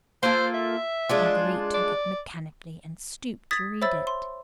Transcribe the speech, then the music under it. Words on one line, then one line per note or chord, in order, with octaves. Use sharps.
Marguerite took it mechanically and stooped to read it.
A#3 F4 A4 C5
E5
G#3 D4 F4
D5
D#6 G#6 A6 B6
C5 C#5 E5 B5 E6 A6
C6